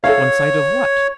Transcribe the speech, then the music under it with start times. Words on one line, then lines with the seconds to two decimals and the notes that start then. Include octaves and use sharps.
'One side of WHAT?
0.04 A4 C#5 F5